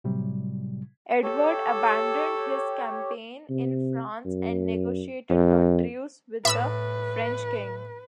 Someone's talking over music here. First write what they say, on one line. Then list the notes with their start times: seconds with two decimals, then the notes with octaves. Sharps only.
Edward abandoned his campaign in France and negotiated a truce with the French king.
0.04 A2 C3 F#3 G3
1.23 G4 A4 C#5
3.49 C3
4.25 F#2
5.29 F2
6.45 A2 B4 E5 B5 E6